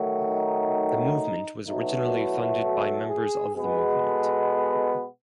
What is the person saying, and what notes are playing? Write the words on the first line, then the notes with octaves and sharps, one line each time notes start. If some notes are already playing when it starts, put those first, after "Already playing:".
The movement was originally funded by members of the movement.
Already playing: D#3 F#3 A3
D#4
B2 F#3 A3 D#4
E4
A4
G#4
B2 G#3 B3 G#4
A4
A4